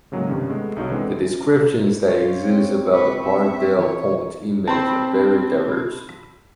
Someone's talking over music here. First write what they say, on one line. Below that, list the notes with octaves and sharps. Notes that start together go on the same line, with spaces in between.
The descriptions that exist about the Mark del Pont image are very diverse.
A2 C#3 F#3 G#3 A#3
G2 C3 D#3 C#4
G#3 A3 B3
C2 D#4 F#4 C#5
D3 E3 G#3 B3 C4
F4 C#5
C4
B4 C#6
E5
E3 C#5
C4 A5 B5 C6